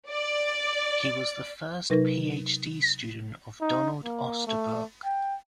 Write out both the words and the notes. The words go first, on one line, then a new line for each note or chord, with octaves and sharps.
He was the first Ph.D. student of Donald Osterbrock.
D5
C3 F#3 D#4 A#4 B4 A#6
D#4
A#3
A3
G5